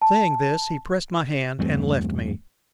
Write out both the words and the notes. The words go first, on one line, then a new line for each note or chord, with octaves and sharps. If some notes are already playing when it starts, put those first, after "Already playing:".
Saying this, he pressed my hand and left me.
A5
E2 G2 A3 C4